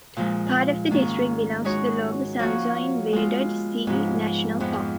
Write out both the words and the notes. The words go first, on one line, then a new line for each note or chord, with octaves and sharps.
Part of the district belongs to the Lower Saxony Wadden Sea National Park.
A#2 F3 G#3
G#2 D#3 A#3 C#4
G#3 D#4 F#4 C#5
F3 A#3 C#4 F#4 C#5
G#3 B3 F4
G#2 F3 B3
F2 F3 B3